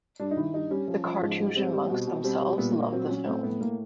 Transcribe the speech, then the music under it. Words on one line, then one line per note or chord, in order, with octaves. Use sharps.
The Carthusian monks themselves loved the film.
G2 D4
D#4
D#3 E4
G2 D#4
G3 C#4
F3
F3
G#2
G#2
G3 C4
G3
B2
B2
G3 C4
G3
A#2 B3
A#3
A#2
A#3
F#3 C4
F#3 C#4
A2 C4
A2 B3
A2 A#3